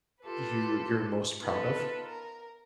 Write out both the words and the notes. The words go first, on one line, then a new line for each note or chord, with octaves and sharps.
you you're most proud of?
F4 G4 A4 B4
B3 D#4 F4 A4 B4
A#4